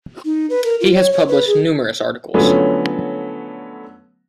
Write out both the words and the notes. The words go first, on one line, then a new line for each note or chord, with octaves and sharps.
He has published numerous articles.
D#4
B4
A#4
F4
C#5
C#5
B4
G#4
D3 F3 F#3 A3 B3 C#4